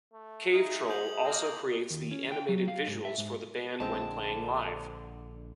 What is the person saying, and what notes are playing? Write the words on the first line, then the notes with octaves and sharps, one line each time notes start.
Cavetroll also creates the animated visuals for the band when playing live.
A3
G#3 D#4 G#4 E5 F5
D#6 G6 F#7
A#2 A#3 D4 D#5
D#2
C#4
G5
F#3
F5
G#2
E5
G#2
A#1 D3 G#3 C4 A5